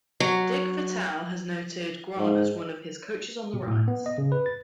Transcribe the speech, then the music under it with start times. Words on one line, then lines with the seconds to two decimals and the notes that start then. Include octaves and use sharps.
Dick Vitale has noted Grant as one of his "Coaches on the Rise".
0.20 F#3
2.19 G#2
3.54 B2
3.68 A2
3.88 B3
4.06 D#5
4.18 C#3
4.32 B4
4.46 A6